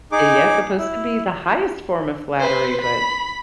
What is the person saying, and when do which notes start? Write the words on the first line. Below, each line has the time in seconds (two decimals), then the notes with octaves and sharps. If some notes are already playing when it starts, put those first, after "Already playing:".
Yeah, it's supposed to be the highest form of flattery, but
0.12 D#4 G#4 D6
0.78 E4
2.40 B4 C5
2.81 B5